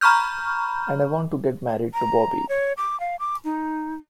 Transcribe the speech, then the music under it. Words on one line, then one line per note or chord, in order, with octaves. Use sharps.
And I want to get married to Bobby.
A#5 B5 C#6 F6 G6
A#5
C#5
D6
F5
D6
D#4